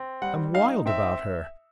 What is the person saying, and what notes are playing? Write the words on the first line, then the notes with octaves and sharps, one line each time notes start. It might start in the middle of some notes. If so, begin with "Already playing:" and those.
I'm wild about her!
Already playing: C4
G3 F#5
D#4 F5
C4 E5